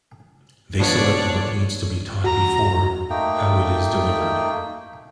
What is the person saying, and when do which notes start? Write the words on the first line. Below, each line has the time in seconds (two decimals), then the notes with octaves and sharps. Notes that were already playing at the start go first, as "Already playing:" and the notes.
They select what needs to be taught before how it is delivered.
0.80 B2 F3 B3 D4 C#5 D5
2.24 E2 F#4 A#5
3.10 A3 A#3 D#4 G5